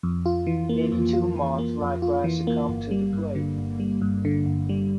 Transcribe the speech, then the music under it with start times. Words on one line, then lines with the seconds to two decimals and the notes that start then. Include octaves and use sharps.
Eighty-two monks likewise succombed to the plague.
0.03 F2
0.26 F4
0.47 E3
0.69 A#3
0.92 F2
1.13 F4
1.36 E3
1.58 A#3
1.81 F2
2.02 F4
2.24 E3
2.47 A#3
2.69 G1
2.91 G3
3.13 G2
3.35 D3
3.58 G1
3.80 G3
4.02 G2
4.25 D3
4.46 G1
4.69 G3